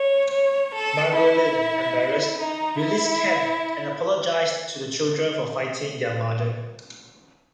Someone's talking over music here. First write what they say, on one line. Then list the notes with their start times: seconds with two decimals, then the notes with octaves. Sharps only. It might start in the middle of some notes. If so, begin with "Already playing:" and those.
Margolin, embarrassed, released Kemp and apologized to the children for fighting their mother.
Already playing: C#5
0.32 C#5
0.74 A4
1.15 E4
2.38 D#4
2.80 E4